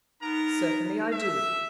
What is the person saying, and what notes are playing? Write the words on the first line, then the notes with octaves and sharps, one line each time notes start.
"Certainly I do."
B3 D#4 A#4 A#5
E5